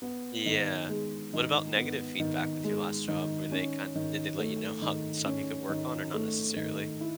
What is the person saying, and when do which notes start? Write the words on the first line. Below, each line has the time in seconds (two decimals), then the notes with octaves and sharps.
Yeah. What about negative feedback with your last job? Were they kind did they let you know how stuff you could work on or not necessarily?
0.02 B3
0.46 D#3
0.89 G#3
1.33 D#3
1.76 B3
2.20 D#3
2.64 G#3
3.08 D#3
3.52 C#4
3.96 D#3
4.38 A3
4.82 D#3
5.25 C#4
5.69 D#3
6.14 A3
6.56 D#3
7.01 E4